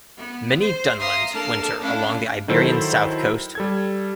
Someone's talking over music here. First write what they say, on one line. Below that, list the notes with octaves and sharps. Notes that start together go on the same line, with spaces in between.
Many dunlins winter along the Iberian south coast.
B3
C5
E5 F5 A#5 C6 D#6
A#3 D4 A4 A5 F6
A3 C#4 D4 E4 F5
D#3 F#3 E4 A4 C5
G3 A4 G#6